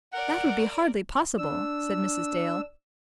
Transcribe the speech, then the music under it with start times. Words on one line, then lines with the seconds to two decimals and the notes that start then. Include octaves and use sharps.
"That would be hardly possible," said Mrs. Dale.
0.13 A#4 D5 F#5
1.38 D4 E6